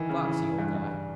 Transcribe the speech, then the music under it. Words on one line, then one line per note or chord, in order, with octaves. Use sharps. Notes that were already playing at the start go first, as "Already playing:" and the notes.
Foxy old guy.
Already playing: D#3 E3
C#3
E3
E3
G2
G2